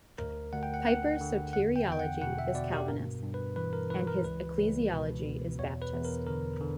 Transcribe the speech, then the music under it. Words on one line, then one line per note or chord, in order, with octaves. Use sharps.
Piper's soteriology is Calvinist, and his ecclesiology is Baptist.
D2 A#4
D2 F#5
G5
F#5
D3 F#5
D3
E2 F#5
G5
E2 G5
F#5
B2 F#5
E5
B2 D5
G4
G2 A#4
G2
B4
E3 B4
A#4
E3 B4
A#4
C#2 B4
C#2
B2
B2
E2 C#5
B4
E2
A#4
D3 A#4
D3